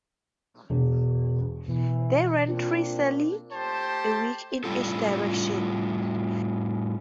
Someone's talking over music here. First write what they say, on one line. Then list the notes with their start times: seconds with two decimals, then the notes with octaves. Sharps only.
They ran three sailings a week in each direction.
0.70 E1
1.68 B2 E3
2.48 A#3 C4 D4 F4
3.52 A3 G4 C5 A5
4.64 A2 G3 B3 F4 A4